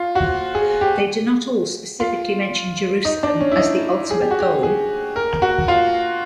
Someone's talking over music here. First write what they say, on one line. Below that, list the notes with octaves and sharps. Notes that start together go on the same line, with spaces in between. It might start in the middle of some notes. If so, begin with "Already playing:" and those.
They do not all specifically mention Jerusalem as the ultimate goal.
Already playing: F4
F#4
G#4
G4
F4
D#4
D4
C#4
E4
D#4
G#4
G4
F#4
G4
G#4
A#4
F#4
F4